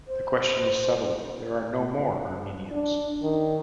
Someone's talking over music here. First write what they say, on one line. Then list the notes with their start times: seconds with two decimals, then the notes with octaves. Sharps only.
The question is settled, there are no more Armenians'.
0.08 C5
2.72 D4
3.23 D#3